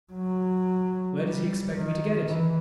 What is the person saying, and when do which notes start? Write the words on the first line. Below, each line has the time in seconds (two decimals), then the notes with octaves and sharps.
Where does he expect me to get it?
0.13 F#3
1.21 G3
1.75 D#3
2.27 E3